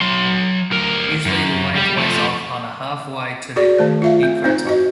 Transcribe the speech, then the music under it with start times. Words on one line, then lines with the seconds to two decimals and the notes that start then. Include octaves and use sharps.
Usually the Wave wears off on a half way to the equator.
0.01 F#3 C6
0.72 D2 A#4
1.26 F#2
1.76 G3 G4
1.98 F3 A3
3.56 F#4 G#4 D5
3.78 D#3 A3 C5
4.02 F4 E5 F5
4.23 C4
4.44 C4 D#4 C5
4.67 F#4 D#5